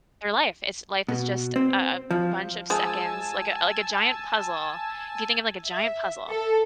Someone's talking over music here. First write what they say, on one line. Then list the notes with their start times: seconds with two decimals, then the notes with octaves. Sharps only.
They're life, it's life is just a a bunch of seconds like, a like, a giant puzzle. If you think of, like, a giant puzzle
1.09 B2
1.56 C4
2.11 F3
2.70 F3 G#3 G#5 A5 E6
5.66 E5
6.29 A4